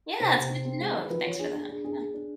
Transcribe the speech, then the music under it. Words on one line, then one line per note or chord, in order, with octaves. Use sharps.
Yeah. It's good to know. Thanks for that. Yeah.
C3 C5
C3
C3
C4
G#3
D#3
F3 B4
F3 C#5
D4 G#4
D4 G#4
D4 G#4
D4 G#4
D4 G#4
D4